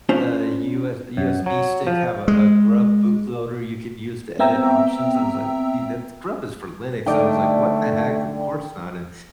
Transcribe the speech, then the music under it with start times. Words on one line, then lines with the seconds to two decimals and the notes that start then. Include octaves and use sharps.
uh, US USB stick have a a GRUB bootloader you can use to edit options?" I was like, "You know, GRUB is for Linux," I was like, "What the heck? Of course not," and
0.09 C#4 D4 F4 C5
1.17 F#2
1.46 F#3
1.87 F3
2.28 G#3
4.39 B3 C4 E5 G5 A#5 E6
7.06 D3 A3 D#4 D5 G5